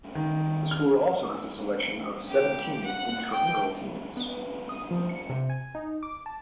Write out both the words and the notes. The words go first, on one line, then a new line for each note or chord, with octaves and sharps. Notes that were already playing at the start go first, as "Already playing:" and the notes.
The school also has a selection of seventeen intramural teams.
D#3
F6
G4
F#5
G5
B3
D#6
F3
C#7
C3
G#5
D#4
D6
A5